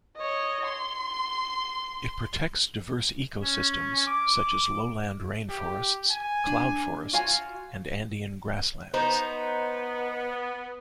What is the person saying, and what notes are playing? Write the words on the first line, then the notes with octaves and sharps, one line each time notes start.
It protects diverse ecosystems such as lowland rainforests, cloud forests and Andean grasslands.
C#5 D#5
C6
C#4
D6
G4
G#5
D4
F4 F#4 F5 G#5
B3 D#4 C5